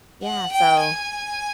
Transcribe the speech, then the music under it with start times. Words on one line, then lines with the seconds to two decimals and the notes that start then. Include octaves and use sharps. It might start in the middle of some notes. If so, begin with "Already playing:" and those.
yeah so
0.23 F#5
0.52 G5
0.81 G#5